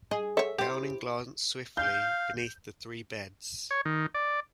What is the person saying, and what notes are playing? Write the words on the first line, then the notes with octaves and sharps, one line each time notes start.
Downing glanced swiftly beneath the three beds.
G#4 D#5
A4 C#5 E5
E4 G4 C5
F5 G6
C#5
D#3
D5